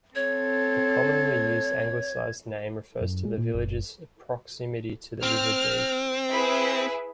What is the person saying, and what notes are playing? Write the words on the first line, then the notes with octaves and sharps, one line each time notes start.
The commonly used anglicised name refers to the village's proximity to the River Dee.
C4 A4 C#5 G#6
F#2
G#3
A#2
F#1
C4 F6
E4 G#4 B4